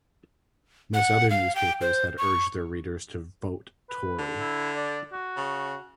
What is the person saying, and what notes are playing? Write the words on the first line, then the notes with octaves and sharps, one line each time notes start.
Most other newspapers had urged their readers to vote Tory.
F#5
F5
G5
C5
C#6
B4
D3
E4
D5
F#4
C#3